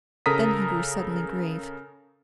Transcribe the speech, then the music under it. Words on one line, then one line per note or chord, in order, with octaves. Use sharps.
Then he grew suddenly grave.
C#3 A4 A#4 A#5 D#6 B6